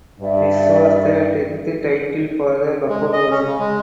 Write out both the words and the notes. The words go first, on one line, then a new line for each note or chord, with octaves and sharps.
This was the tenth title for the Buffaloes.
G2 D5 E5
G#3
D#5
C#4
C#3
G#3